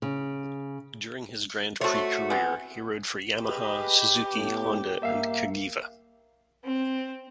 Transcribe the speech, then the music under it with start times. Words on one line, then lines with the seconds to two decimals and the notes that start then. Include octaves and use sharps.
During his Grand Prix career he rode for Yamaha, Suzuki, Honda and Cagiva.
0.02 C#3
1.81 A3 F#4 A4 C5 C#5
2.30 C3 E3 B3
3.42 G4 G#4 B4 D#5
4.35 A2 B3
5.03 G2 A#3 E5 F5
6.64 C4